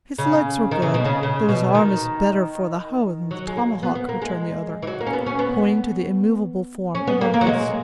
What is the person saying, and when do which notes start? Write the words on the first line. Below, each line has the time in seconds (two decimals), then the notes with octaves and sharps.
"His legs were good, though his arm is better for the hoe than the tomahawk," returned the other, pointing to the immovable form of Uncas.
0.18 C#3
0.71 D#3
0.82 C#3
0.94 B2
1.05 C#3
1.23 C#3
1.49 B2
1.75 D#3
3.31 F#3
3.47 G#3
3.57 A#3
3.83 B3
3.95 B3
4.09 A#3
4.22 G#3
4.82 E3
4.87 F#3
5.00 A#3
5.07 C#4
5.13 B3
5.26 C#4
5.39 B3
6.95 C#4
7.07 B3
7.21 A#3
7.34 A#3
7.41 F#3
7.47 G#3